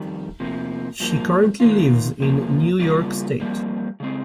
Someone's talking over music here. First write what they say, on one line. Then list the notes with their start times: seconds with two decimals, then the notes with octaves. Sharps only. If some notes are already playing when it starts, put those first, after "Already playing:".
She currently lives in New York State.
Already playing: F2 D#3 G3
0.40 C3 F3 A#3
1.00 G2 F3 A#3
1.60 D#3 A#3 F4
2.20 C3 F3 A#3
2.79 C#3 G3 A#3 F4
3.40 F2 C3 G3 A#3
4.00 C#3 G#3 C4